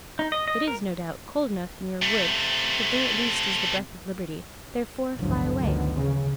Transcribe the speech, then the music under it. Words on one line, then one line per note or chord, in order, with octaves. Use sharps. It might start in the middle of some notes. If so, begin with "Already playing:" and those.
It is, no doubt, cold enough in your woods, but there at least is the breath of liberty; therefore fly away.
D#4
D#5
D#5
A#4
C3 A3
A1 D2 G2 D3 F3 F#3
D2 D3 D#3 F3 F#3 B3
C#3